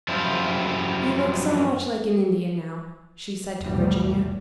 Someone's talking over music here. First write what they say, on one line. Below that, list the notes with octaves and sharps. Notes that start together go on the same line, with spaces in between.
"You look so much like an Indian now," she said to Virginia.
F#2 F3 G3 E4 F4
F1 B1 E2 A2 G3